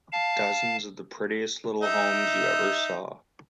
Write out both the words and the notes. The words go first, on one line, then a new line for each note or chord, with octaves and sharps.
Dozens of the prettiest little homes you ever saw.
F5 A5
D#4 E5